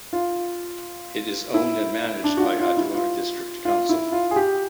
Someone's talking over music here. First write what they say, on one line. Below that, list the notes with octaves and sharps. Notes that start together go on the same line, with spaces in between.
It is owned and managed by Adur District Council.
F4
E4
D4
F#4
F4
F4
E4
F4
F4
E4
F4
G#4
G4